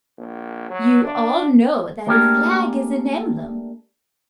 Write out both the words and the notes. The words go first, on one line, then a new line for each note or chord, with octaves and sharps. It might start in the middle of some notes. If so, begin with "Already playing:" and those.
You all know that a flag is an emblem.
A#1
F#3
D4
A3 A#3 D4 G4 G#4 A#4